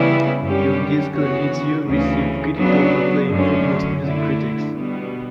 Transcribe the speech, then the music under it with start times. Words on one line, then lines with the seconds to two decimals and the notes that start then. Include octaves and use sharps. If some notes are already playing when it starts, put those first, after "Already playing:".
"Your Disco Needs You" received critical acclaim from most music critics.
Already playing: C#3 E3 G3 B3 E4
0.41 F#2 D3 G3 C#4 G4
1.13 C#3 E3 B3 F#4 C#5
1.85 D2 C#3 E3
2.57 C#3 F#3 B3 D4
3.30 F#2 D3 A3 C#4
4.02 D3 A3 E4
4.74 B2 G3 B3